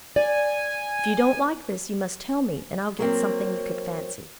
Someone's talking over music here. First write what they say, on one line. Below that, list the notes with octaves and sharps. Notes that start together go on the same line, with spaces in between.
If you don't like this, you must tell me, and I'll get something you could fancy.'
D5 G#5
F#3 A#3 C4